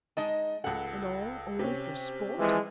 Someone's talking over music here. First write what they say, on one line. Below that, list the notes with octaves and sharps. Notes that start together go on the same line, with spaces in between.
And all only for sport?
G#3 D#4 D#5 A5
C#2 A4 F#5
C3 C#4
E3 F3 G#3